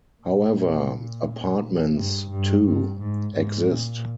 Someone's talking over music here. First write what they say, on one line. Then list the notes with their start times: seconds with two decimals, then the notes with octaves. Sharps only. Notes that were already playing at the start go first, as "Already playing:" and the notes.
However apartments too exist.
0.22 A#2
1.96 G2
2.30 G2
2.65 G2
3.00 G#2
3.35 G#2
3.69 A#2